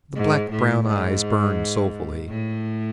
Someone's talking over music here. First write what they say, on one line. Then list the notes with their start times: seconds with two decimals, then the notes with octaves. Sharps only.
The black-brown eyes burned soulfully.
0.16 G#2
0.51 A2
0.87 G#2
2.29 A2